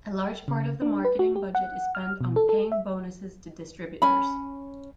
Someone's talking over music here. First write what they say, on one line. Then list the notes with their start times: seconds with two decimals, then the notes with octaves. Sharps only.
A large part of the marketing budget is spent on paying bonuses to distributors.
0.48 C#3
0.82 D4
1.05 B4
1.19 F#4
1.36 G4
1.55 F#5
1.95 F6
2.21 B2
2.36 A4
2.49 A4
2.72 E5
4.02 C#4 B5